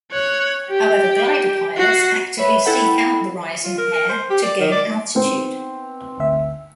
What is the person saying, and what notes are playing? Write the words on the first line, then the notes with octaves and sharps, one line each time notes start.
However, glider pilots actively seek out the rising air to gain altitude.
C#5 F#6
G4
F#4 C7
B4 C#5 E5 B5
E4 A4 F#5 G5 B5
F4
A#4
A#4
C5
G4
D5
D#3
D5
B3 C4 D#4
G1 D2 E5